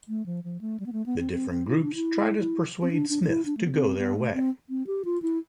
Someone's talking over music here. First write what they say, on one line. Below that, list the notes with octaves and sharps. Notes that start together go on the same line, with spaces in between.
The different groups try to persuade Smith to go their way.
A3
F3
F3
A3
G3
B3
A3
B3
C4
C4
C4
E4
D4
E4
E4
C4
D4
D4
D4
E4
D4
A3
B3
C4
B3
A3
C4
C4
G4
F4
E4